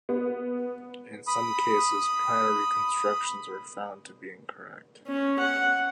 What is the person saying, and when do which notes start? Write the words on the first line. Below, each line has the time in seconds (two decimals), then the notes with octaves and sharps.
In some cases, prior re-constructions were found to be incorrect.
0.09 B3
1.27 B5 D#6
5.08 C#4
5.39 F#5